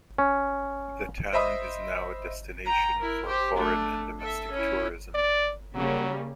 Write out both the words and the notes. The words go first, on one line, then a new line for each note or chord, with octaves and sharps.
The town is now a destination for foreign and domestic tourism.
C#4
C5 D#5 E5 B5 D#6
G5 A#5
E4 A#4
G4 C5
A3 D4
A4 E5
C#4 E4
D5
C#3 F#3 G3 A#3